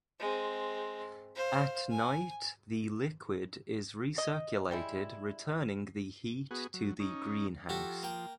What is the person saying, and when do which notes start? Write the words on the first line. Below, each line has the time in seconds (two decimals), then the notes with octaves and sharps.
At night the liquid is recirculated returning the heat to the greenhouse.
0.19 G#3 C4
1.35 C5 F5
1.90 G#5
4.18 D#5
4.71 G3 G#3 E4
6.51 B3 F#4 G#4
6.74 F#3
7.00 C#4 D#4
7.69 F3 F#4 G4 A4
8.03 A#3 G5